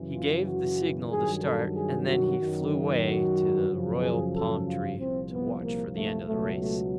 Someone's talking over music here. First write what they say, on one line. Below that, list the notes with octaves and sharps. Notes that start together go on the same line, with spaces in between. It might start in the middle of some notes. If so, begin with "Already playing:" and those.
He gave the signal to start and then he flew away to the royal palm tree to watch for the end of the race.
Already playing: F#2 C#3 E3
F4
F#4
G2 D#3 F#3 G#4
A4
G#4
F#4
F#2 D#3 F#3
F#4
F#2 C#3 F3
G#4
A4
F4
C2 A#2 F3 C4
B3
A#3
A3
C#2 B2 F#3 A3
A3